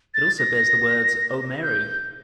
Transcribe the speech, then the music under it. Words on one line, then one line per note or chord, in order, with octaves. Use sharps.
It also bears the words, O Mary!
A6
A#6
G6